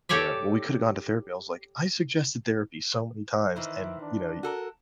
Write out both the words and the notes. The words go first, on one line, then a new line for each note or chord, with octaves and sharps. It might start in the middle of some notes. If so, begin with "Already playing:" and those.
"Yeah. Well, we could've gone to therapy." I was like, "I suggested therapy so many times and," you know, "y
G4 A4 C#5 D5 E5
D#3 E3 C5 E5
D4
F#4 A4 A#4